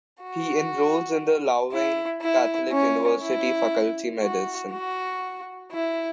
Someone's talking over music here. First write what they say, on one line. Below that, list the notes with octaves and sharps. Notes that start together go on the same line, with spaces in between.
He enrolls in the Louvain Catholic University faculty medicine.
F#4
E4
E4
C#4
E4
F#4
F#4
E4